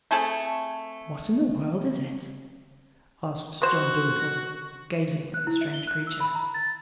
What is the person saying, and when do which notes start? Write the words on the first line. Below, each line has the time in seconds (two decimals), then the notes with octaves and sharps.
"What in the world is it?" asked John Dolittle, gazing at the strange creature.
0.11 A3 C4 G#4 A4
3.62 F#4 B4 C5
5.34 F#6
5.47 E4
5.61 E5
5.74 G7
5.87 F#6
6.07 E6
6.20 B5
6.35 A#5
6.54 A6